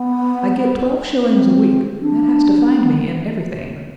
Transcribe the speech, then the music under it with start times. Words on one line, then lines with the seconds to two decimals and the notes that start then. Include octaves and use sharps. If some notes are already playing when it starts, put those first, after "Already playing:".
"I get twelve shillings a week, and that has to find me in everything!"
Already playing: B3
1.27 C4
2.02 D4
2.76 B3